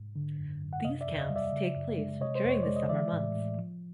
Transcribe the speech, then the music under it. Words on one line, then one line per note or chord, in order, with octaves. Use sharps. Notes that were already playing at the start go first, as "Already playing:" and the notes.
These camps take place during the summer months.
Already playing: G#2
D3
F#2
F#2
F#5
C3 D#5 F5
D5 E5
E2
D#5 F5
G3
D5 E5
C#3
F#2
G#3
C3 C#5 D#5
C5
F2 C#5
G#3 D5
D#5
E3 D5 E5
A2
A2
F3